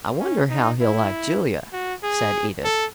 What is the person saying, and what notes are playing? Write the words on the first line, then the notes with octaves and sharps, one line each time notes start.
"I wonder how he'll like Julia," said Edith.
C#4
D#4
E4
F#4
G#4
A4